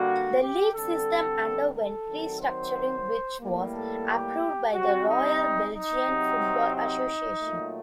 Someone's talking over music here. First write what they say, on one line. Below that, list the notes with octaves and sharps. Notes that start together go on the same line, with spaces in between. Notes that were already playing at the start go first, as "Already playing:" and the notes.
The league system underwent restructuring which was approved by the Royal Belgian Football Association.
Already playing: D3 G3 A#3 F#4
G4
D3 G3 C4 A4
A4
D#3 F#3 C4
C5
A2 G3 A#3
A4
G4
C3 G3 C4 F#4
D#4
D#4
C3 F#3 C4
D#4
A#2 F#3 A3